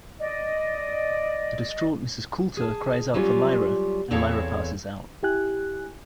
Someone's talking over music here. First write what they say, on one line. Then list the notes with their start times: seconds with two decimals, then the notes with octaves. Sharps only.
A distraught Mrs. Coulter cries out for Lyra, and Lyra passes out.
0.18 D5 D#5
2.57 G#4 A5
3.14 F#3 G3 C#4 F4
4.11 E2 C4 E4 A4 C#5 F5
5.23 E4 G4 G#5 F#6